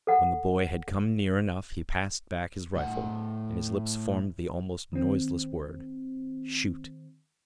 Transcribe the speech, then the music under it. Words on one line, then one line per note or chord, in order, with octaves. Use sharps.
When the boy had come near enough he passed back his rifle, and his lips formed the almost noiseless word, "Shoot!"
A4 F#5
A2 F#5
D#3 C4